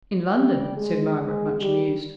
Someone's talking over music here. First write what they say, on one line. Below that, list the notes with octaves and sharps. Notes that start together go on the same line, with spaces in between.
'In London,' said Margaret, much amused.
G3 G4
G#3 G#4
G#3 G#4
G3 G4